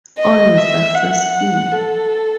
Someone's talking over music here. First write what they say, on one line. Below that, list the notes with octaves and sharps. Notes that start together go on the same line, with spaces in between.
All were successful.
D#5
E5
F#5
A4